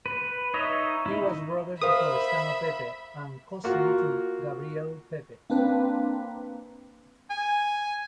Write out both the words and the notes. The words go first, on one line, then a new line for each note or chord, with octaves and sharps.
He was brother to Florestano Pepe and cousin to Gabriele Pepe.
B4
D#4 C#5 D#5 E5
D#4 E4
A#4 C5 E5 F5 B5 D#6
A#3 F4 F#4
A#3 C4 D4 B4
G#5